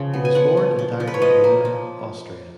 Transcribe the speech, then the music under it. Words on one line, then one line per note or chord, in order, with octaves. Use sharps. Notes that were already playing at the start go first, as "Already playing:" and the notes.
He was born and died in Vienna, Austria.
Already playing: C#3 F3
B3
G#5
F3 F#5
F3
F3
F3
B4
C#5
F3 D#5
A#3
F3